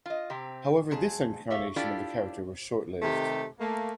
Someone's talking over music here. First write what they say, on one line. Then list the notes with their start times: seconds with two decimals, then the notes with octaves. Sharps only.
However, this incarnation of the character was short-lived.
0.06 F4 D#5
0.30 C3 C4 G4
0.91 F2 G#4 A5
1.50 G4 A4 C#5 E5 F5
1.76 D4 E4 F4 G4 A4 D5
3.01 C3 D#3 A3 G4
3.59 A3 A#3